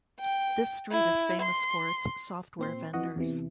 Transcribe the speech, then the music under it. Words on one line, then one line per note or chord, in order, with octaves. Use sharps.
This street is famous for its software vendors.
G5
E4
C6
A#2 C4 C6
F2 E3 F#4 D#5 F#5
E2 C3 E3